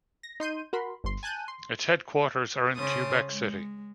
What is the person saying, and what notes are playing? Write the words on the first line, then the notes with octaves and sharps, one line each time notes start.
Its headquarters are in Quebec City.
A#6
D#4 C6 G6 D#7
F#4 A#4 B5 C6
G1 C6
G#5 A5 F#6 G6 D#7
C6
C#3 C#4 C5 C#5 A5 D#6
G#3